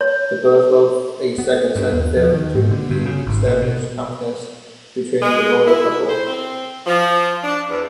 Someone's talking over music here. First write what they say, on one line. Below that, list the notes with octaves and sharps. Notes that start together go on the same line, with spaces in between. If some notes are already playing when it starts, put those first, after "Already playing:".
The birth of a second son failed to re-establish confidence between the royal couple.
C#5
B3
G2
D#2
F3
D#3
G#2
D3
G2
C#3
G#1
A#2
B2
G#3
E4
C5
C4
F3
D4
E2